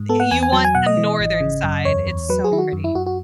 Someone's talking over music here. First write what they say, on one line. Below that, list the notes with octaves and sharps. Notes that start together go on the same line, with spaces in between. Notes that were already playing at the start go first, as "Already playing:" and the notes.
Eh, you want the northern side- it's so pretty.
Already playing: G#2
B3 A4
F#5
E2 G#5
G#5
F#3 A5
G#5
B2 F#5
D#5
E3
G#1
C#3
F#2
E2 C#5
E2
F#3 B4
G#4
D#3 E4
F#4
F#2
E4
F#2 F#4
F#4